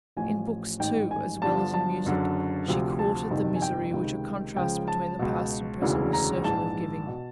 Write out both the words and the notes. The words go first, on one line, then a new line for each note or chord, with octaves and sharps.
In books too, as well as in music, she courted the misery which a contrast between the past and present was certain of giving.
A1 A2 F3 G#5
A1 G#2 D#3 G5
G#5
G1 G2 D3 F3 A5
A5
F#1 F#2 D3
D2 C3 F3
A5
G1 F2 C3 D#3
G#5
G5
C#2 C3 D#3
C#2 C#3 F3 G5
A5
C#2 B2
E1 D2 C#3 E3
A#5
A#1 G#2 E3 A5
B2